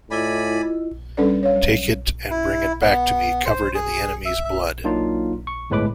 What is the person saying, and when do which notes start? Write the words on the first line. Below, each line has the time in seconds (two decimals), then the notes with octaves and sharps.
Take it and bring it back to me covered in the enemy's blood.
0.11 A2 E4 F4 D5 D#5 G#5 B5
1.17 G3 C#4 D4 A4 B4 D5
1.43 C#5 F5
1.56 F#3
2.31 E4
2.81 B3
3.45 C5
3.75 G#4
4.25 E5
4.45 E5
4.84 F#3 A#3 D4 D#4 F4
5.47 C#6
5.70 G1 A2 G#3 B4 B5 D6